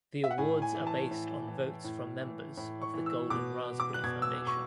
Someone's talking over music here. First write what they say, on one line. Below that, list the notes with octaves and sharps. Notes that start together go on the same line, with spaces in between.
The awards are based on votes from members of the Golden Raspberry Foundation.
E5
F#5
A2 G#5
G#5
E3
A5
A2
E3
A2
E3
A2
C#6
E3
E6
B2 D6
D6
F#6
B2 G#6
E6
C#6